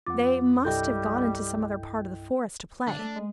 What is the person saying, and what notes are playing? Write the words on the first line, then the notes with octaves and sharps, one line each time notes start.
They must have gone into some other part of the forest to play.
F2 F4 F#5 D6 A6
C2 G2 G3 E4 A4 D#5 G5 G6
D3 D4
A3
G#3